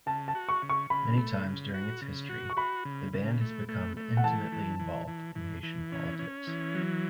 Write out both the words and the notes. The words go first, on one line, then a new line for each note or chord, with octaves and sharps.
Many times during its history, the band has become intimately involved in Haitian politics.
C#3 A5
A5
F#4
C#6
C#3
C#6
C#3 B5
A3
C#3
F#4
C#3
F#4
C#6
F#4 B5
C#3
C#3
A3
A3
A3
F#5
E3 A5
E3
E3
E3
E3
E3
C#4
C#4
E3
F#3